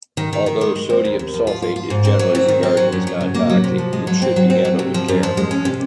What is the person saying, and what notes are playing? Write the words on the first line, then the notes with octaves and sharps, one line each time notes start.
Although sodium sulfate is generally regarded as non-toxic, it should be handled with care.
D#3
D#3
D#3
G#3
G#3
C4
D#2
D#2
F3
F4
F4
F4
G#2
C4
F#3
C4
D#3
C4
F#3
F#2
F#3
C#3
A#3
F#3
C3
F3
G#3
F#3
C4
F#3
C4
F#3
C3
F3
F#2
F3
G#3
C#4
C3